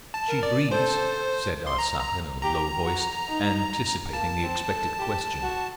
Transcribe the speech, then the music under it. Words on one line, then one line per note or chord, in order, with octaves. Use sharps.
"She breathes," said Arsat in a low voice, anticipating the expected question.
A5
A#4
D5
A4 C5
C6
A#5
A#5
G4 A#5
F#4
D#4
A#3 A5
C4
A4
G4
F#4